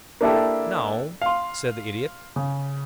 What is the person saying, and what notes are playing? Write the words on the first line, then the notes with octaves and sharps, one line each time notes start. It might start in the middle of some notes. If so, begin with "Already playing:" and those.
"No," said the Idiot.
A#3 D4 E4 G4 A4
F5 C6
C#3